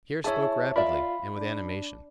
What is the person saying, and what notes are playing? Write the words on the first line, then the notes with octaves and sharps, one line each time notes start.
Pierre spoke rapidly and with animation.
E4 G#4 C#5 E5 A5
F4 A#4 D5 E5 B5
D4